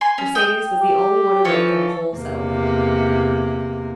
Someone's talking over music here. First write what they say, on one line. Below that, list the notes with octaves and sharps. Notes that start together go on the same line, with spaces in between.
Mercedes was the only one awake in the whole settlement.
G#5 C6
C#4
G5 D#6
G4
E3 F3 A4 C#5
E2 C3 A#3